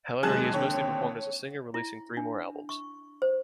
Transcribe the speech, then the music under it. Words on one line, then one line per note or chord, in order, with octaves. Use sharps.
However, he has mostly performed as a singer, releasing three more albums.
D#2 C3 F#3 G#3 G#4 A5 F#6
D#2 D3 C4 C#5
E4
D4
C#6
C5